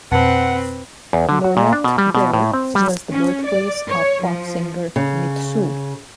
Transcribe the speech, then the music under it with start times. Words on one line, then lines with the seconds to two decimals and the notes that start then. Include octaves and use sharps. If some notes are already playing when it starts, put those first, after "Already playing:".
Loretteville was the birthplace of pop singer Mitsou.
0.12 F2 B2 C4 B4 F#5 A5
1.13 E2
1.29 D3
1.44 F#4
1.57 A#2
1.73 D4
1.84 B2
1.98 G3
2.15 B2
2.33 A2
2.53 C4
2.75 G3
3.12 C#4
3.47 D5
3.88 C#5
4.23 F3
4.96 C#3